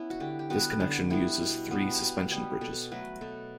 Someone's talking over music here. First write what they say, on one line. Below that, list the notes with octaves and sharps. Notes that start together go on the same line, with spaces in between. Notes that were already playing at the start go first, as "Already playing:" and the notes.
This connection uses three suspension bridges.
Already playing: B3 C#4 E4
F#4
D3 G4
G4
G3 B3 F#4
D3 D4
G3 B3 E4
B2
G3 B3
B2
G3 B3
B2 A4
F#3 A3 B4
B2 A4